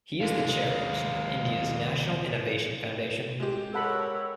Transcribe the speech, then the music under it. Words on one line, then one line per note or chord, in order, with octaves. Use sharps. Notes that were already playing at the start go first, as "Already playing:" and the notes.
He is the Chairperson of India's National Innovation Foundation.
D#2 G#3 F5
G#3 G4
A4 A#4 C#5 F#5 B5 E6